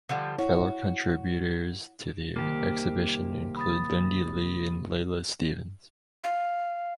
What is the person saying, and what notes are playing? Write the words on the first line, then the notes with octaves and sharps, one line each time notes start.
Fellow contributors to the exhibition include Lindy Lee and Leyla Stevens.
D3 F3 G3
E4 F#4 C#5
C2 D#3 A#3 G4
B5 D#6 A6
F5